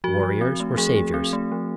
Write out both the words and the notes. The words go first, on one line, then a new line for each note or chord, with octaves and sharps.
Warriors were saviours.
F3 F#4
F3
C4
A3
F3 G#4
F3
C4
A3
F3